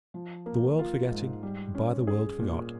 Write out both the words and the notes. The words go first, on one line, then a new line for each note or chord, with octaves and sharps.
"The world forgetting, by the world forgot."
F3
A#3
F4
G#2
G3
C#4
G#4
A#2